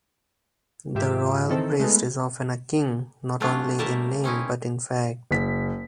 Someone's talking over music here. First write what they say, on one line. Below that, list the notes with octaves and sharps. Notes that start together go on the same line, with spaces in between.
The royal priest is often a king, not only in name but in fact.
G#2 D#3 F4 G4 E5
D#3 E3 C4 A4 C5
G#3 A3 B3 D#4
F#3 A3 C#4 D4 F4
G3 A3 A#3 A#4 E5 A5
C4 C#4 D#4 E4
F#1 B6